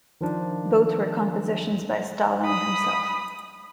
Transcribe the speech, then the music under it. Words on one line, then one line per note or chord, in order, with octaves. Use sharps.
Both were compositions by Stalling himself.
D#3 F3 D4
B5 D#6